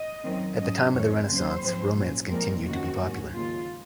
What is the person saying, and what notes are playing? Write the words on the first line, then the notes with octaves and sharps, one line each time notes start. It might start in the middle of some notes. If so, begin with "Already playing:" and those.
At the time of the Renaissance romance continued to be popular.
Already playing: D#5
F#2 D#3 F#3 C4
G#2 F#3 C#4 D#5
F2 D#3 G#3 C4 C#5
D#2 C#3 F#3 C#4 C5
G#2 F3 C4
A#2 F#3 C#4
A#2 F3 G#3 C4 A#4
F2 C3 D#3 A#3 C#4 F#4
G#2 F#3 A#3 C#4
D#2 C#3 G#3 F4